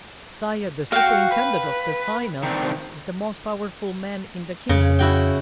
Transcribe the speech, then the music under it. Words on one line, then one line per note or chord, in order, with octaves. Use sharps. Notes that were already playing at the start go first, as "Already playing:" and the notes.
"Sire, the superintendent of the finances is the most powerful man in the kingdom."
F#4 F5 G5
B4
D#3 C4 D4
F2 C#3
E4 F#4 G5